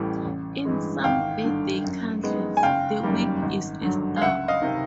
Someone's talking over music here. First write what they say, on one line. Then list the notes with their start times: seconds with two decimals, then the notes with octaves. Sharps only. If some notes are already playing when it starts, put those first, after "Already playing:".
In some birthday candles, the wick is a stub.
Already playing: A1 A2 E3 G3
0.25 A1
0.65 G2 E3 G#3
1.04 G#1 F5 G5
1.44 G2 D3
1.84 F#2
2.23 D#3 G#3 B3
2.57 G#5
2.63 F#1 F5 G5
3.03 F#2 D#3 G3 A#3
3.43 G#1
3.82 G2 D3 F#3
4.17 F5
4.21 C#2 E5 F#5
4.48 D#5 F5
4.61 C3 D#3